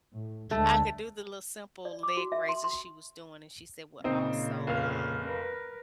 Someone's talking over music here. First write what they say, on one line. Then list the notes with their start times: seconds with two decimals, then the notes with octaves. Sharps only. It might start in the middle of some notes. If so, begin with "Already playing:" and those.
I could do the little, simple leg raises she was doing, and she said, well, "Also, um,
0.13 A2
0.51 D2 G#3 A3
1.85 D5
2.03 D6
2.17 F#4
2.32 E5
2.49 C6
2.64 C6
4.04 A#2 C#3 C4 D#4
4.67 F1 F5 F6
5.24 A#4 B4